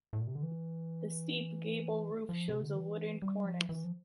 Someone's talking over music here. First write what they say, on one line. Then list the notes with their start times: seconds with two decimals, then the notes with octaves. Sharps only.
The steep gable roof shows a wooden cornice.
0.13 A2
0.21 A#2
0.27 C3
0.35 D3
0.43 E3
2.29 F3
2.49 C3
2.62 D3
2.76 E3
3.22 G3
3.45 F3
3.69 E3
3.84 F3